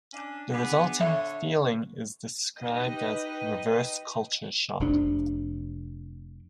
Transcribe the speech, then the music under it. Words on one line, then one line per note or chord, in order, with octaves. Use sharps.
The resulting feeling is described as "reverse culture shock".
C#4 D4
B3 D4 G#4
D3 A4 C#5 E5
D#4 G4 B4 D#5
F1 C3 D4